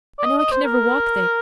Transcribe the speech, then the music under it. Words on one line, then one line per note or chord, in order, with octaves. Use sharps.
I know I can never walk there.
D5
D#5
D#5
C5
A#4